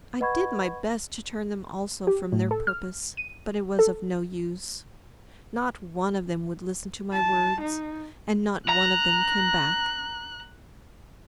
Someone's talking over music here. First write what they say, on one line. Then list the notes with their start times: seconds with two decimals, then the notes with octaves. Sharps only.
I did my best to turn them also from their purpose, but it was of no use. Not one of them would listen to my words, and not one of them came back.
0.20 B4 D#5 F#5 B5 C#6 G#6
2.07 G4
2.32 A2
2.51 A4
2.67 F6
3.17 D#7
3.79 A4
7.12 A5
7.62 D#4
8.69 A#5 F#6